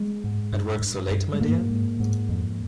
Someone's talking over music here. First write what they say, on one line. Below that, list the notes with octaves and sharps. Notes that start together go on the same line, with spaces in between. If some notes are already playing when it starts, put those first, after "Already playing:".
At work so late, my dear?
Already playing: G#3
G#2
G2
G2
G2
G#3
G#2 A#3
G#2
G#2
F2